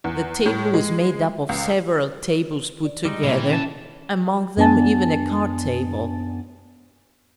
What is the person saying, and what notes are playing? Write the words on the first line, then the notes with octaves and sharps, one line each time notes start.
The table was made up of several tables put together, among them even a card-table.
E2
A2
G#3
C#2
D5
G3 G#3 D#4
A#2 D3 E3
C#4 G5
A5
F#2 B3 D4 G#5 A5 A6